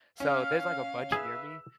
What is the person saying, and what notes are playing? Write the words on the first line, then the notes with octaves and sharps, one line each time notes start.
so, there's, like, a bunch near me,
C#4 F5 F6
G#4 B4 E5 E6